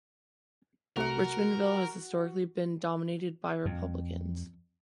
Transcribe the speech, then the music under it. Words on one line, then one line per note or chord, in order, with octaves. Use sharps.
Richmondville has historically been dominated by Republicans.
C2 C3 A3 F#4 A#4 F#5
F2